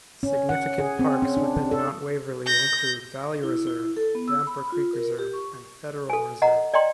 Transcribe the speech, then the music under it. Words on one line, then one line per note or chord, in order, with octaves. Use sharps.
Significant parks within Mount Waverley include Valley Reserve, Damper Creek Reserve, and Federal Reserve.
C#4
F#5
G#4
C4
C#4
D4
A4
G6 A#6
E4
E4
A4
B3
E6
B5
F4
A#4
G4
C#6
A4 G#5
D#5 F#5 A#5
D5 D#5 G5 A#5 C6